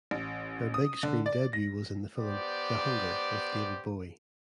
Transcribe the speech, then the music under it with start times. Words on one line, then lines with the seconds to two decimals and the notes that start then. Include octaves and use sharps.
Her big screen debut was in the film "The Hunger" with David Bowie.
0.11 A1
0.74 D#6
1.03 D3
1.26 D5
1.53 A#6
2.16 B3 G4 C5 D5 D6